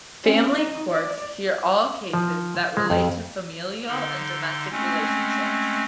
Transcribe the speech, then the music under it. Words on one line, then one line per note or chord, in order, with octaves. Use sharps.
Family courts hear all cases that relate to familial and domestic relationships.
C4 C#4
D#4 D#5
D5
F3
G#3
F2
D3 D#4 C6
G#3 A3 C4 C#4